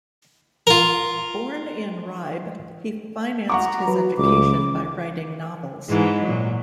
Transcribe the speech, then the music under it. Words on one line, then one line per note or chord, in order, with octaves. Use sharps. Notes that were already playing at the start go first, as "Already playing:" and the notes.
Born in Ribe, he financed his education by writing novels.
F4 A#4
F#5 A#5 C#6 D6
F#3 B4
C#2 D6
G#2 E3 G#3
A#2 F#3